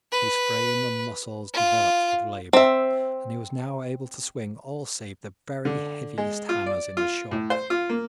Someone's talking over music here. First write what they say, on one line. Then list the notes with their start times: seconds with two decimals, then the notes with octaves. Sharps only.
His frame and muscles developed with labour, and he was now able to swing all save the very heaviest hammers in the shop.
0.12 B4
1.54 F4
2.53 C4 E5
5.65 D3
6.18 G#3
6.49 F4
6.66 D5
6.97 F4
7.31 A2
7.50 C5
7.70 F4
7.89 A#3